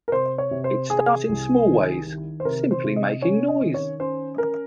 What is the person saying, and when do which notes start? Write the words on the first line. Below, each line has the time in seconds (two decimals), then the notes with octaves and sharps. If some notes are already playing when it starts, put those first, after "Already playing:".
It starts in small ways, simply making noise.
0.08 A#4
0.12 C3 C5
0.38 C#5
0.51 C3
0.64 C5
0.90 C3 G#4
1.29 C2
1.67 D#3
2.06 D#3
2.40 C5
2.45 C3 A#4
2.71 C5
2.84 C3
2.96 D#5
3.22 C#4 C#5
3.48 D#5
3.61 D#3
3.74 C#5
4.00 C#4 C5
4.38 C#4 A#4